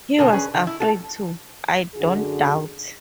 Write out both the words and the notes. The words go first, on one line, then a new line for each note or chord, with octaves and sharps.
He was afraid to, I don't doubt.
B2 D3 A#4
C#4 G#4 B4
D3 D#3
E4
E4 F#4 A4
F#2 D3 F#4 G#4